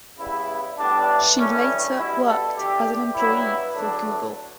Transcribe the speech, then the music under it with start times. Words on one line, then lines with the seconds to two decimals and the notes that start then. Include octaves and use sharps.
She later worked as an employee for Google.
0.18 C#3 G3 B3 E4
0.77 A2 G3 B3 D4
1.37 G2 E3 A3 C#4
1.96 B2 G3 B3 E4
2.26 A4
2.55 E2 D3 A3 G4
3.15 G2 F#3 B3 E4
3.74 E2 D3 F#3 A3 D4